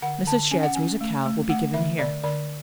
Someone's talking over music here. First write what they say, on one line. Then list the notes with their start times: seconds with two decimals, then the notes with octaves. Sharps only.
Mrs. Shadd's musicale will be given here.
0.02 D3 F#5
0.27 D3 A5
0.51 C#4 G#5
0.63 F#5
0.75 C#4 G#5
1.01 A3
1.26 A3
1.49 A3 F#5
1.74 D3 E5
1.99 D3 D5
2.24 D3 D5